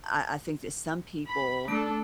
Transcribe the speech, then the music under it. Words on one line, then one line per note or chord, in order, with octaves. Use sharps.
I I think that some people
B5
A3 D4 A4 D7